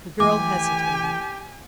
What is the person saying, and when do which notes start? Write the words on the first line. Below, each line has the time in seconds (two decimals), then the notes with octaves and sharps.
The girl hesitated.
0.20 E3 A3 G4 G#5 D6